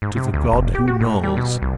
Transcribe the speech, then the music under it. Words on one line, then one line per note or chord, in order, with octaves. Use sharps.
To the god who knows.
G#2
C3
D2
F1
G4
F#4
A2
G3
B2
C2